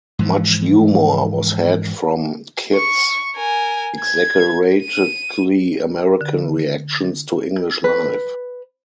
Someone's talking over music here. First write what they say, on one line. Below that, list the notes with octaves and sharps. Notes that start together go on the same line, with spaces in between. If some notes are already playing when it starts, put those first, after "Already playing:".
Much humour was had from Kit's exaggeratedly American reactions to English life.
G#2 E3 F3
C#6
A#4 G#5
G#6
D#7
D3
B4